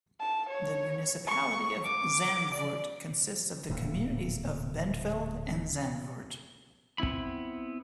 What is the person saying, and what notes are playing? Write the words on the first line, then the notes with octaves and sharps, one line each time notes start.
The municipality of Zandvoort consists of the communities of Bentveld and Zandvoort.
A5
C#5
C#6
D6
D5
D1 A#2 D3
B3 C4 E4 B5